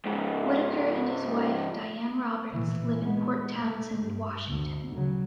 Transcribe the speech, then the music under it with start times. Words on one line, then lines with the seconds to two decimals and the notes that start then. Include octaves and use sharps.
Whittaker and his wife, Dianne Roberts, live in Port Townsend, Washington.
0.06 C#2 G#2
2.51 A#2 E3
3.01 G#3 B3
3.59 A3
3.98 G2
4.47 D2
4.95 C#3 F#3